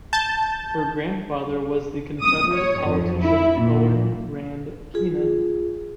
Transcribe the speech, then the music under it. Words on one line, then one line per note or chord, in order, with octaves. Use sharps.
Her grandfather was the Confederate politician Owen Rand Kenan.
A5 G6
D#6
C#5
F2
E4
A#2
F4 G#4